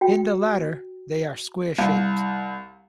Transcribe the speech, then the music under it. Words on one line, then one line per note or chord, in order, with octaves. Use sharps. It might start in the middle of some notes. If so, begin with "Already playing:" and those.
In the latter they are square-shaped.
F#4 G5
C2 F5